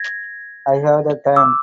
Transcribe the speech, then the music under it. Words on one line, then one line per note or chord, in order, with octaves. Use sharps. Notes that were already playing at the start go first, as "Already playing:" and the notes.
I have the time.
Already playing: G#6 A#6
D6 E6